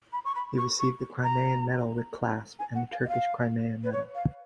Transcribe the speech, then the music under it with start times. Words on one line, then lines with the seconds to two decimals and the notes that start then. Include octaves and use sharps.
He received the Crimean Medal with clasp, and the Turkish Crimea Medal.
0.13 B5
0.25 C#6
0.35 B5
0.58 C#6
0.80 C#6
1.24 A#5
2.59 G#5
2.75 F#5
2.92 F5
3.05 D#5
3.09 F5
3.84 B4
3.92 C#5
4.15 F5